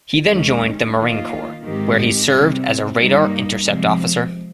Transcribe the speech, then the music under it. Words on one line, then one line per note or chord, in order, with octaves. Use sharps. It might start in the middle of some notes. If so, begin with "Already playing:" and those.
He then joined the Marine Corps where he served as a Radar Intercept Officer.
D#2 D#3 G#3 C#4
D#3 A#3 F4
G#2 D#3 G#3 C4 G4
C3 G3 C4
G2 G3 A#3 D#4
C3 F3 G#3 C4